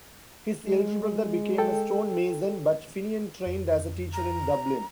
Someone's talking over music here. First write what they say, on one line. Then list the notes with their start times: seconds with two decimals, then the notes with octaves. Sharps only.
His elder brother became a stonemason but Finian trained as a teacher in Dublin.
0.65 G#3
1.58 A4 G5
3.46 F2
4.13 A#5